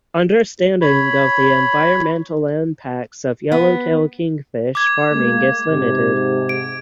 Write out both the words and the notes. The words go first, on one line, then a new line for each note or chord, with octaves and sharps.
Understanding of the environmental impacts of yellowtail kingfish farming is limited.
C#5 B5
B3
D6 G#6
G#3 A#3
G#2 C3
D7